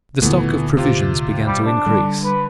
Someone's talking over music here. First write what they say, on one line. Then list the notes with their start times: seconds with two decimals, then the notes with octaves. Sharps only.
The stock of provisions began to increase.
0.22 D2 A#2 E3 A3 B3
0.77 C3 F4 G4
1.47 G3
1.66 D4
1.86 D3 G3
2.24 B4